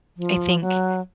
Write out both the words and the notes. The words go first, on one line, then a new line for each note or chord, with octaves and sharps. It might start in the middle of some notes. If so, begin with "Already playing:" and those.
I think
F3
F#3